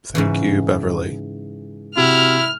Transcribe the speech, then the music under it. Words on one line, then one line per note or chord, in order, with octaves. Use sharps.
Thank You Beverley.
G#2 C#3 E3
C3 E4 F#4 F6